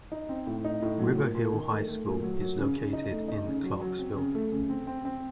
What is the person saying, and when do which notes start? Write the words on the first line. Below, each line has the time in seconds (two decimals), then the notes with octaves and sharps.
River Hill High School is located in Clarksville.
0.12 D#4
0.29 C4
0.47 A2
0.65 D#4
0.82 A2
0.99 F#3
1.18 A#2
1.35 A#2
1.53 D#3
1.71 A3
1.88 A3
2.05 A#2
2.23 F#3
2.41 F#3
2.58 C#3
2.76 C#3
2.93 D#4
3.11 A3
3.28 D#4
3.46 C#3
3.64 F#3
3.81 F#3
3.99 C4
4.17 C#3
4.35 A3
4.52 C#3
4.69 C4
4.87 C4
5.05 C4